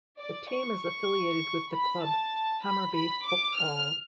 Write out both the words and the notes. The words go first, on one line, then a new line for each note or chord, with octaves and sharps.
The team is affiliated with the club Hammarby Fotboll.
D5
C#6
C#6
B5
A5
B5
B5
D6
F6